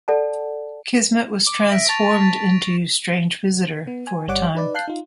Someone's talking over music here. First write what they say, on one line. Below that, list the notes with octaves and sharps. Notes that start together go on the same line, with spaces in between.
Kismet was transformed into Strange Visitor for a time.
A4 D5 F#5 A5
D6
E5 A#6 B6 D7
A5 C#6 A6 F7
B3
G#5
G1 G3 C#5 D5 F#5 D6
D#4 B4 D5
F5 A5 F#6 G6 C7
D#4 F4